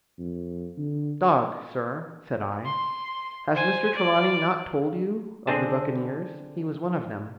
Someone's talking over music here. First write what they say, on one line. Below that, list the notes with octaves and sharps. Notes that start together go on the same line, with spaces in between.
"Dog, sir," said I. "Has Mr. Trelawney not told you of the buccaneers? He was one of them."
F2
D3
C6
C5 G#5
D5
D3 C4 D4 G#4 A5